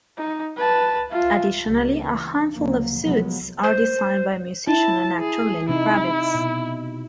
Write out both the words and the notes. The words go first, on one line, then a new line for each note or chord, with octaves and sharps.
Additionally, a handful of suites are designed by musician and actor Lenny Kravitz.
D#4
B4 A5
F4 E5
C#2 G3 A#3
E3
D2 C#3 F3 F#3 A#3
C3 F3 F#3 G#3 B3
C5
E4 A5
G#4
C3 D#4 E4
B2